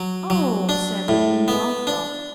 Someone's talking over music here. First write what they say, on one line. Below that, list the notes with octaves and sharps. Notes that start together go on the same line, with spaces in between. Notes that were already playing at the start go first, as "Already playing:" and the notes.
"Oh!" said the Green Brown Frog.
Already playing: F#3
F#3
D4
A2
B3
D4